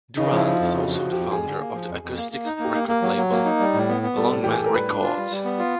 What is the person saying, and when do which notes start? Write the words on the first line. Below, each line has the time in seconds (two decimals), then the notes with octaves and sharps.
Durrant is also the founder of the acoustic record label LongMan Records.
0.17 C#3 D#4
0.32 F3 E4
0.46 F3
0.55 F2 F4
0.74 C#3 F#4
0.88 F3
0.94 F#4
1.03 F3
1.13 F2 G4
1.31 F2 G#4
1.46 D3
1.60 A#3
1.74 F3
1.89 F2
2.03 F2
2.17 A#3
2.32 A#3
2.45 D#4
2.60 A#3 G4
2.74 A#3
2.88 A#3
3.02 F#3
3.17 F#3
3.31 A#3
3.45 D#4
3.60 G3
3.74 A2
3.89 B3
4.02 B3
4.16 G3 A4
4.31 A2
4.44 E3 G4
4.52 G#4
4.58 A2 A4
4.66 A#4
4.74 G3 B4
4.88 D4
5.02 F4
5.17 G3
5.31 G3
5.45 B3
5.59 F4